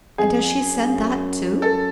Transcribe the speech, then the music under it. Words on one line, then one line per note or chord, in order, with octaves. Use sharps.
"And does she send that too?"
F2 G#4
F#2
G2
F#2
A4